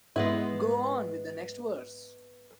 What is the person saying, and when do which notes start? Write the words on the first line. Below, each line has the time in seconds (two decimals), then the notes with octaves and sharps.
Go on with the next verse.
0.16 G#2 G#3 B3 E4